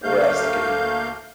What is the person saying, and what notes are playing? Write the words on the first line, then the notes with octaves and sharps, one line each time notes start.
whereas, like, if you
D2 A3 A#3 F5 G6